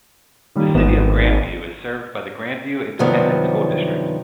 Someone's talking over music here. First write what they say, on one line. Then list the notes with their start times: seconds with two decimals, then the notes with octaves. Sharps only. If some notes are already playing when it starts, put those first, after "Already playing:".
The City of Grandview is served by the Grandview Independent School District.
0.56 D#3 G3 A#3
0.75 G#1 B3 D#4 E7
2.99 G2 C3 D#3 F3 F#3 B3